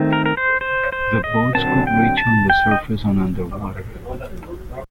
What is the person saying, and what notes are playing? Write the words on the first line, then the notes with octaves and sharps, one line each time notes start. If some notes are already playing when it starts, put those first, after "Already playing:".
The boats could reach on the surface and underwater.
Already playing: D#3 A3 C4
A#4
A#4
C5
C5
C5
D#5
D3 F#3 C4 A5
G5
A5
G5
D#5